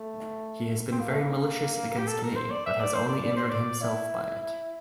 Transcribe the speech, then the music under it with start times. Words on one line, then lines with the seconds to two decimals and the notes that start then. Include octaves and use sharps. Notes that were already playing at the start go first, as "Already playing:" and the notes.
He has been very malicious against me but has only injured himself by it.
Already playing: A3
0.91 C4
1.00 A#3
1.09 A3
1.19 A#3
1.98 G4
2.07 A4
2.22 A#4
2.36 C5
2.51 D5
2.66 E5
2.79 D5
2.95 C5
3.09 D5
3.23 D5
3.36 C5
3.50 D5
3.81 E4